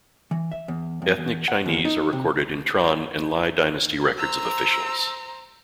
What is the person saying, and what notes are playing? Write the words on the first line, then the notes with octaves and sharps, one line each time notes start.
Ethnic Chinese are recorded in Tran and Ly dynasty records of officials.
E3
E5
E2
F2
E2
F#5
D#2
D#4
C3
C5 A#5 E6